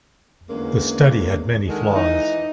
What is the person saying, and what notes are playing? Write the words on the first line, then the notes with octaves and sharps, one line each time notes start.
The study had many flaws.
E2 D3 G#3 A#3 C#4
D3 D#3 G#3
E3 D#4